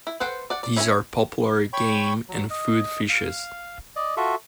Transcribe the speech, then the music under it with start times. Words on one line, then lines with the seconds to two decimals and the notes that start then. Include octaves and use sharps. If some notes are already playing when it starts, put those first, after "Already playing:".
These are popular game and food fishes.
0.07 E4
0.20 A4 B4 C5 F#5 G5
0.50 D5 F#5
0.63 D5
0.76 C#4 E4 C5 C#5 G#5
1.73 C#5 G5 B5 C#6
2.28 F#3
2.50 D#5
3.09 F5
3.96 D5 D#5
4.17 F4 F#4 A4 E5